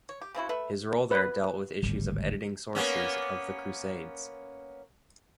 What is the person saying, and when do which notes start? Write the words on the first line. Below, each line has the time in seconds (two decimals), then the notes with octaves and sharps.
His role there dealt with issues of editing sources of the Crusades.
0.09 C#5
0.21 G4
0.35 C#3 C4 E4 F#4
0.49 A3 B4 E5
1.11 B4
1.82 D1 G#1 G3
2.75 A#3 B3 C#4